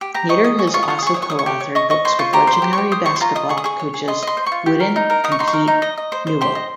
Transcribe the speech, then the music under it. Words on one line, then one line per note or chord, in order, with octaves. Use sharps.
Nater has also co-authored books with legendary basketball coaches Wooden and Pete Newell.
G4
G4 A#5
D#5 C#6
D#5 D#6
G#4 C#6
D#6
F4 C#6
D#6
F4 C#6
D#6
G#4 C#6
C#5 D#6
C#6
C#5 D#6
C#6
G4
C#5
D#5 C#6
D#5 C#6
C5 C6
F4 C#6
G4 A#5
C5
C6
G4
G4 C#6
C5 D#6
C5 C#6
C6
F4 A#5
D#5 D#6
G#4 C#6
D#6
G#4 C#6
C#5
G#4
D#5 C6
D#5 C6
C5
C#6
F4
G4
A#4
D#4
A#4
D#4 D#6
C#6
D#4 C6
C#6
A#4
D#4
D#5
D#5
C5
C5
G4 C6
D#5